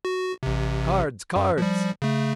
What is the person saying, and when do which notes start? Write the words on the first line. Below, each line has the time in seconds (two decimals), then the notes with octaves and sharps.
Cards! cards!
0.05 F#4
0.43 A1 C3
1.36 F#2
1.58 F3 G3
2.02 C#3 A3